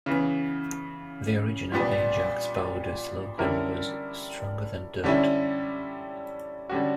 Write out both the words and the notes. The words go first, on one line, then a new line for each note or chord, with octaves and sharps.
The original Ajax powder slogan was Stronger than dirt!
C#3 E3 B3
A#2 G3 B3 D4
D3 G3 C#4 E4 A#4
D3 G3 C#4 E4
D3 G3 C#4 F#4